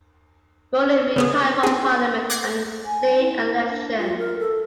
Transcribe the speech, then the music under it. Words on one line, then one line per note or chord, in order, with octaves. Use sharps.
Rowling retired from parliament at the same election.
C#3 B3 G#4
C4 G#4
D6 F#6 G#6 A#6 C7
G#5
E4
D4
F4
A#4
A4